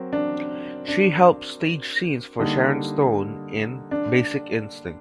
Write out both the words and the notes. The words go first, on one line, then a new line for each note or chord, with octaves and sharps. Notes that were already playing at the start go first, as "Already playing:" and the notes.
She helped stage scenes for Sharon Stone in "Basic Instinct".
Already playing: F#3 C4 A#4
D4
D4
D3 G3 A#3 D#4
D4